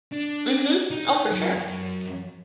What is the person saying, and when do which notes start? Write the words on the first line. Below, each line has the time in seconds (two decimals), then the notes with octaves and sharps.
Mhm. Oh, for sure.
0.12 D4
0.91 D#4
1.31 F#2